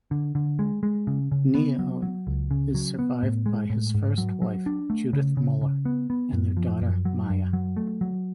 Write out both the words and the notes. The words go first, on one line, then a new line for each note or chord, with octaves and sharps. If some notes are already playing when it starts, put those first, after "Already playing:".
Neon is survived by his first wife, Judith Muller and their daughter Maya.
D3
D3
G#3
G#3
C#3
C#3
B3
F#3
F#3
C#2
C#3
F#3
B3
A2
G#3
A2
G#2
F#3
F#3
D4
A3
C#3
C#3
C#3
B3
B3
F#2
F3
F#2
F#3
F#2
F#3
A3
F#3